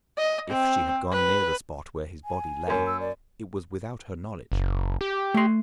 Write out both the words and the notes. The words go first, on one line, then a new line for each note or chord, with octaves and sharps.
If she had gone near the spot where his body lay, it was without her knowledge.
D#5
C4
B4
G#5
F#2 A#3
E6
D5
F#1
G4
A3 C6